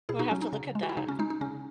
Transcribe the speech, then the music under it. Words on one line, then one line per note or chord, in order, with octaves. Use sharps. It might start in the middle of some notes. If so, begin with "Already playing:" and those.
I'm gonna have to look at that.
B2 E4 G#4
D#4 F#4
F#3 C#4
D#4
C#3
G#3
F#4
E4
C#3 D#4
C#4
G#3 D#4
D#4
C#3 C#4